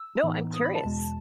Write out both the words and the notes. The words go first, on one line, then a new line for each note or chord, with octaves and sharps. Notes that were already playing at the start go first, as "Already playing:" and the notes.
No, I'm curious.
Already playing: E6
A2 E3 B3 D#4
D#6
B5
A5
E2 B2 G#3